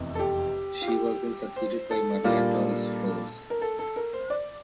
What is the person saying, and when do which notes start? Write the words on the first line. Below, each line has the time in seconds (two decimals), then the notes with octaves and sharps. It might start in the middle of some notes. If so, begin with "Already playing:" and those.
She was then succeeded by Maria Torres-Flores.
Already playing: F1 E2 C3
0.15 A4
0.19 G4
0.82 F4
0.88 G4
1.56 C5
1.91 A4
2.24 A#2 G3 A#3 D4 F4
3.50 A#4
3.62 A4
3.79 A4
3.96 A#4
4.13 C5
4.30 D5